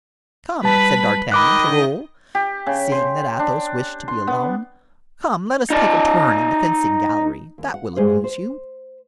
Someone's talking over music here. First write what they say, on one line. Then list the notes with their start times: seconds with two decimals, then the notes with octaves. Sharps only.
"Come," said D'Artagnan to Raoul, seeing that Athos wished to be alone, "come, let us take a turn in the fencing gallery; that will amuse you."
0.63 G3 B4 A5 B5
1.32 D#3 D#5 B5 D6 F#6
2.35 G4
2.67 C#3
2.92 C6
3.39 D4
4.08 C6
4.27 B3
5.70 D#4 D5
7.58 D#2
7.74 F#5
7.97 G2 G3 G#3 G#4 C5
8.24 C5